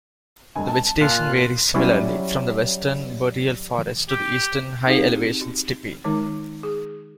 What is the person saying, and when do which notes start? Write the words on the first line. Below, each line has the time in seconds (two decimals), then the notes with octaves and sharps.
The vegetation varies similarly, from the western boreal forest, to the eastern high-elevation steppe.
0.55 F1 G2 G#5
0.68 A5
1.01 A#2 F4 F6 F#6
1.74 F#3 G3 C#4 E4 C#5 D5
4.10 G4
4.87 C4 D#4 G4 G#4 F5
5.41 F#4
6.04 D#3 G#3 D#4 C#5 D6
6.63 G#4